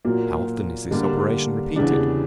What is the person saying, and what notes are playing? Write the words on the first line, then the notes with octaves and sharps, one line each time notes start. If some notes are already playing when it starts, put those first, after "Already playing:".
How often is this operation repeated?
A#2 F#3 A#3
D3 G3 A#3 D4
E2 C#3 G3 B3 D4